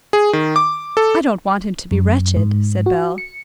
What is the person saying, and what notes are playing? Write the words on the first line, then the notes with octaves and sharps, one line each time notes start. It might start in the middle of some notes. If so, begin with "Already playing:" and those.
"I don't want him to be wretched," said Bell.
G#4
D#3
D6
A4
F#2
G#2
F#4
C#7